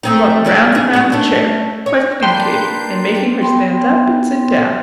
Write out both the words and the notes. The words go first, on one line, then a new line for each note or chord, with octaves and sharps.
He walked round and round the chair, questioning Katy and making her stand up and sit down.
A3 C4 D#4
C#3 E4 D5
G#4
G#3 F#4
A3 C#4 D4
C#5
A#3 D4 B4 G5 C6
B3 G5 C6